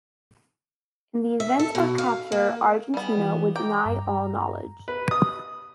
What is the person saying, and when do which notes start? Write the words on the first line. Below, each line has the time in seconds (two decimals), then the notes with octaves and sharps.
In the event of capture, Argentina would deny all knowledge.
1.40 E5
1.60 A4
1.75 B2
1.98 F5
2.32 A#3
2.94 G3 B3 G#5
3.17 E3 F4
3.56 G5 A#5 D6
3.86 G2
4.88 B4
5.11 D#6